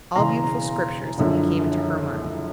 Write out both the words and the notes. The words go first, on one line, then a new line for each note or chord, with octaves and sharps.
All beautiful scriptures came into her mind.
E1 E2 C#3 A#5 C6
F#1 F#2 D3 F3